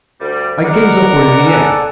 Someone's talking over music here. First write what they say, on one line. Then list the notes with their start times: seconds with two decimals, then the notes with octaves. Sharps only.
I gaze upward in the air.
0.21 D2 G3
0.63 G#3 B3 A#4 D5 F#5
1.45 A4 G#5